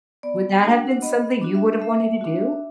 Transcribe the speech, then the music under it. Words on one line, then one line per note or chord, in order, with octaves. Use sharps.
Would that have been something you would have wanted to do?
B3 D5
G5
D4 F#4
F#5
B3 D#5
D4 F#4
E5
A3 E5
D4 F#4